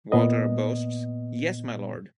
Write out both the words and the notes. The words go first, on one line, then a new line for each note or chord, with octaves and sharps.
Walter boasts: Yes, my lord!
A#2 B3 D#5